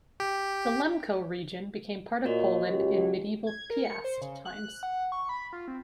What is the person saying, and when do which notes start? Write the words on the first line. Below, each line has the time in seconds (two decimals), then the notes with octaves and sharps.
The Lemko region became part of Poland in medieval Piast times.
0.20 G4
2.25 A#2 F#4 C#5 D#5
2.69 C#2 G4
3.47 G#6
3.70 A#4
3.85 C#7
4.04 C5
4.22 C#3
4.45 F#6
4.83 F#5
5.12 C#6
5.29 B5
5.53 F4
5.68 C4